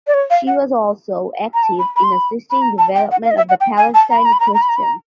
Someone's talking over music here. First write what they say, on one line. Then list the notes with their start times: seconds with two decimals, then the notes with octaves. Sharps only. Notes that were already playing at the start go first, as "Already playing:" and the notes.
She was also active in assisting development of the Palestine question.
0.07 D5
0.14 C#5
0.30 F5
0.47 F#5
1.54 A#5
1.63 A5
1.79 B5
1.96 B5
2.04 C6
2.12 B5
2.51 B5
2.62 A#5
2.78 A5
2.95 G5
3.11 F#5
3.24 F5
3.31 D#5
3.37 E5
3.49 F#5
3.60 G5
3.77 G#5
3.94 A5
4.10 A#5
4.18 B5
4.25 A#5
4.33 B5
4.40 A#5
4.47 B5
4.54 A#5
4.62 B5
4.69 A#5
4.76 B5
4.83 A#5